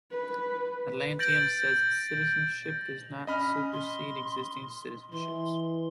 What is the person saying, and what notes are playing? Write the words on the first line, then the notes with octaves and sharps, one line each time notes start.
Atlantium says its citizenship does not supersede existing citizenships.
B4
G6 A6 A#6 D7 F#7
C#4 D#5 B5 F6
C6
E3 C6